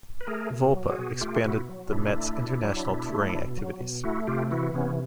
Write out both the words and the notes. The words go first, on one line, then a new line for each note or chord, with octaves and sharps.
Volpe expanded the Met's international touring activities.
B4
A3 G#4 A#4
B2
F#3
F#4 G#4
B2
A3 F4 G4
B2 E4 F#4
F#3
B2 D4 E4
A3
B2
F#3
B2
A3
B2
F#3
B2
A3 E4 F#4
C3 F4 G4
E3 E4 F#4
C3 B3 C#4